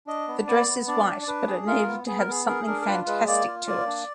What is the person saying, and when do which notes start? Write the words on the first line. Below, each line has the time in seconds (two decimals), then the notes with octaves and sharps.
The dress is white but it needed to have something fantastic to it.
0.07 D4 D#5
0.28 B3
0.47 B3 D5
0.67 B3
0.87 D4 D5
1.07 D4
1.22 D5
1.28 D4 B4
1.47 G#4
1.67 F4 A#4
1.88 B3
2.07 B3 G#4
2.19 A#4
2.27 B3 G#4
2.47 G#4 A#4
2.67 D4 A#4
2.82 A#4
2.87 F4 B4
3.07 G#3 B4
3.27 A#3 D5
3.47 F4
3.67 A#3 D5
3.87 D4